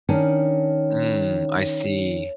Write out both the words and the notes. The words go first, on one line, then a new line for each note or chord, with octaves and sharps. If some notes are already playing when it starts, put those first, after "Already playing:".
Mm. I see.
D#3 C#4 D4 C#5